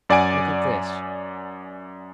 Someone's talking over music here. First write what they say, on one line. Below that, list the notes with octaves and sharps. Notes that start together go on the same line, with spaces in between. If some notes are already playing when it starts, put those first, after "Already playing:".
"Look at this!"
F#2 D5 F#5 G#5 D7